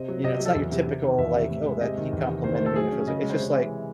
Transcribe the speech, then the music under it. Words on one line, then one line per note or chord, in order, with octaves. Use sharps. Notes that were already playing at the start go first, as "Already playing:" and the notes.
you know, it's not your typical, like, "Oh, that he complimented me, and it feels like" it's just, like,
Already playing: C3 C4 D#5
F#3
C3 D#5
D#5
F#3
A4
E2
C3
C3
D#3
E2 E5
C3
A2
G#3
C3 D#5
D#3
E2
C3
D#3 C5
C5
A3
A4
F#3 G#4
C#4
C#3 D#5
G#3
C5
C3 C#5
E3